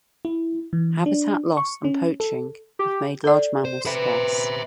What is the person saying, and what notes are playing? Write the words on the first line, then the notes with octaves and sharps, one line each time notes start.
Habitat loss and poaching have made large mammals scarce.
E4
E3
D4
C#6
C#4
A4
G4
A4 D5
C5
B4 C5 E5